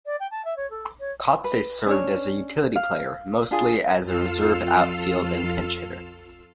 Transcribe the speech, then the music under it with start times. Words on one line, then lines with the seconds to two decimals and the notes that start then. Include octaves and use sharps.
Kotsay served as a utility player, mostly as a reserve outfield and pinch hitter.
0.06 D5
0.20 G5
0.31 A5
0.45 E5
0.57 C#5
0.70 A4
1.00 C#5
1.44 B4
1.86 C#4 D4 C#5
2.76 F5
3.51 D4 F4 G#4
4.04 F2 F4 A4 E6 F6 C7